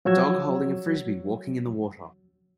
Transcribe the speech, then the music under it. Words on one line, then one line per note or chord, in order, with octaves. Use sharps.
A dog holding a Frisbee walking in the water.
F3 F#3 F#4 C#5 E6 G#6